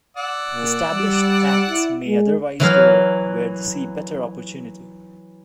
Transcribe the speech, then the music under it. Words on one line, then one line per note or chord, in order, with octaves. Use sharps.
Established acts may otherwise go where they see better opportunity.
D5 F#5 E6
A#2
G3
E4
G#3
E3 F#3 F5